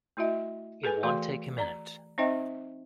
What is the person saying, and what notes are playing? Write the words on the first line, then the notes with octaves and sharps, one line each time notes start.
It won't take a minute!
A3 E4 F#4 D#5 E5
G#4 A4 B4 G#5
E3 A3 F#4 F5 C6
D5 A#5
C4 D#4 C5 D#5 E5 G5